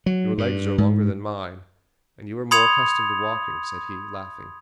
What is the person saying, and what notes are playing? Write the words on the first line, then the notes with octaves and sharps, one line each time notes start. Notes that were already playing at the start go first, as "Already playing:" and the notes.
"Your legs are longer than mine, and you are more accustomed to walking," said he, laughing.
F#3
G2
G#2
B5 C6 D#6 G#6 C#7 F7